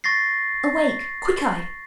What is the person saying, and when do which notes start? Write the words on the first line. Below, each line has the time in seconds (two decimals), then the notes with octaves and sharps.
Awake! Quickeye!
0.04 C#6 A6 A#6 C7